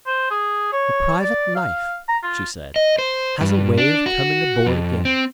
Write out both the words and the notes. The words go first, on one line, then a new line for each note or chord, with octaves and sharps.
"The private life," she said, "has a way of coming aboard again."
C5
G#4
C#5
D5
F5
A#5
F4
D#5
C5
G2
D4
F#4
F2
C4